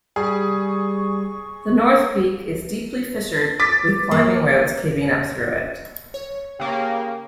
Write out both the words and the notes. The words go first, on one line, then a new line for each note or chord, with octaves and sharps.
The North Peak is deeply fissured, with climbing routes caving up through it.
G3 G#4 C#6
D6 A6 B6
A#3
C#5
C#3 A#3 G4